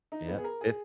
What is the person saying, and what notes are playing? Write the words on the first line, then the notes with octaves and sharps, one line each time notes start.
Yeah, fif
D#4
B3
G#4
A#4
G#4